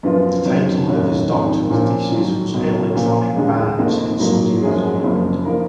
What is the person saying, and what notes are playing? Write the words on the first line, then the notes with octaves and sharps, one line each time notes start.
The title of his doctoral thesis was "Electronic Bands in Sodium Chloride".
F#2 F3 B3 F4 B4
F#1 F#2 D#3 F#3 C#4
F1 D#2 D#3 F#3 C#4
G#1 G#2 F3
A#2 F3 A#3 C#4
G#2 D#3 F#3
C#2 B2 F#3
A#2 F3 A#3 C#4
D#2 C#3 G#3 D#4
F1 F2 F3 A#3 D#4
G#2 F#3 A#3 D#4
F#2 F3 G#3 C#4 G#4
F#1 F#2 F3 A#3
F3 A#3 D#4 A#4